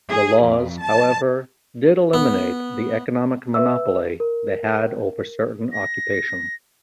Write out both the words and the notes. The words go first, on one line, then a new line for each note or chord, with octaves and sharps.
The laws, however, did eliminate the economic monopoly they had over certain occupations.
G#4
F2
A5
B3
B4 E5 E6
A#4
A#6